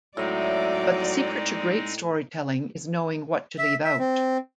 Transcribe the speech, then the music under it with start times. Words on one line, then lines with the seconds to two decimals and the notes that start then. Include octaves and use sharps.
But the secret to great storytelling is knowing what to leave out.
0.17 A2 F#3 G#3 C4 D#4 D5 E5
3.58 E5
3.85 E5
3.99 C4